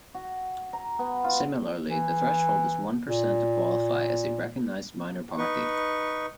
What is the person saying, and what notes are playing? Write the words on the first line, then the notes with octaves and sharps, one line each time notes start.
Similarly, the threshold is one percent to qualify as a recognized minor party.
F#4
A#5
B3
F4
E3
A#2
D#4 B4 C#6